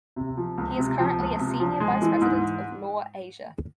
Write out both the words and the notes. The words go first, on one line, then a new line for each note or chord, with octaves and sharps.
He is currently a senior Vice-President of Law Asia.
C3
F3
C#2
C3
F3
C#2
C3
F3
G#3
E3
G#2